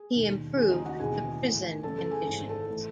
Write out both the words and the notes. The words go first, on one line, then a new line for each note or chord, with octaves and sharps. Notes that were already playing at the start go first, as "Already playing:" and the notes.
He improved the prison conditions.
Already playing: G#4
E1 D#2 D#3
D#2 C#3 E3 G#4 G#5
D#4 D#5
F#4 F#5
E1 D#2 C#3 E3 G#4 G#5
A1 A2 E3
F#1 F#2 E3 A4 A5
A4 A5
G#4 G#5
G#1 G#2 E3 A5
A4 A5
A2 E3